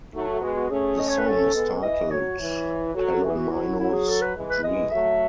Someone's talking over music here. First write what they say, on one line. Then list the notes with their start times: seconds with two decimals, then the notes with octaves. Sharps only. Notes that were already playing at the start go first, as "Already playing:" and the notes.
The song is titled "Palomino's Dream".
0.13 F#3 A3 D#4
0.28 F#4
0.42 G#3 B3 F#4
0.56 F#4
0.70 A3 C#4 G#4
0.99 D#5
1.08 C#5
1.18 B4
1.27 A4
1.54 G#3 B3
1.82 E3 D#5
2.11 F#3 C#5
2.39 E3
2.94 F#3 A4
3.23 E3 F#4
3.30 G#4
3.37 F#4
3.51 F#3 E4
3.79 F#3 E4
3.93 G#4
4.08 A4
4.21 B4
4.35 E3 G#3
4.50 B4
4.64 E3 G#3 D#5
4.91 F#3 A3 E5